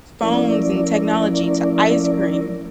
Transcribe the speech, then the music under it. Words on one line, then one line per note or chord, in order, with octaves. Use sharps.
phones and technology to ice cream.
F3 A3 C#4 E4 A#4 D5